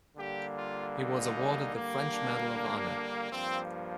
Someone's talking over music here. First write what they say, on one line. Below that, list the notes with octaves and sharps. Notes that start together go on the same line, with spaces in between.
He was awarded the French Medal of Honor.
D3 G3 A#3 G4
F4
D#4
D3 G3 A#3
D4
D4
G2 F3 A#3 C4